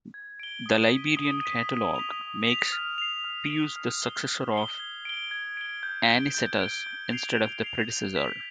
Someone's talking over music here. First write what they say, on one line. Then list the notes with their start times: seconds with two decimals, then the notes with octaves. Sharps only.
The "Liberian Catalogue" makes Pius the successor of Anicetus instead of the predecessor.
0.14 G#6
0.40 D7 G7
0.66 D#6
0.92 B6 D#7
1.17 D#6
1.43 B6 D#7
1.69 D#6
1.95 B6 F7
2.21 D#6
2.47 B6 F7
2.72 F6
2.98 C7 F7
3.24 F6
3.50 C7 F7
3.76 F6
4.02 C7 G7
4.28 F6
4.54 C7 G7
4.79 G#6
5.05 D7 G7
5.31 G#6
5.57 D7 G7
5.83 G6
6.09 D7 G7
6.35 G6
6.61 D7 G7
6.87 G6
7.12 C7 F7
7.38 G6
7.64 C7 F7
7.90 G6
8.16 B6 F7